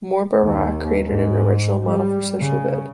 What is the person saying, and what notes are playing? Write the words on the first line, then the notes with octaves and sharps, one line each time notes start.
Mor Barak created an original model for social good.
D#2
G#2
G3
C#3